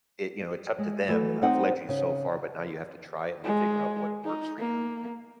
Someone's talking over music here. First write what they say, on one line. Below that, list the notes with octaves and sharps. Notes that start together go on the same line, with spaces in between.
i you know, it's up to them. "I've led you so far, but now you have to try it and figure out what works for you."
G#3
E3 F#3 A3 B4
C4 D#4 C5 F#5
C#3
G#3
D#4
A#3